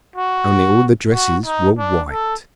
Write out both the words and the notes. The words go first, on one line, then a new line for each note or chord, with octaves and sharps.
Only all the dresses were white.
F#4
F#4
D#4
D4
A4